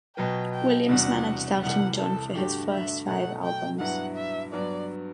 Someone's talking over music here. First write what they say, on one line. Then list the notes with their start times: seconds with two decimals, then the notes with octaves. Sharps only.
Williams managed Elton John for his first five albums.
0.16 B2 F#3 B3 G5
0.53 G5
0.89 E2 C3 G3 D4 F#4 F#5
1.62 C2 C3 E3 G3 F#5
1.98 A4
2.35 G2 D3 A3 D4 F#4 G4
2.71 E5
3.07 B2 F#3 A3 F#5
3.44 G5
3.80 G2 F#3 B3 E4 F#5
4.16 E5
4.53 G2 F#3 B3 D5